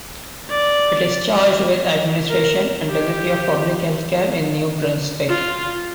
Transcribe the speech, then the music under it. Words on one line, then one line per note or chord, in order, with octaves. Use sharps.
It is charged with administration and delivery of public healthcare in New Brunswick.
D5
A#4
G4
F4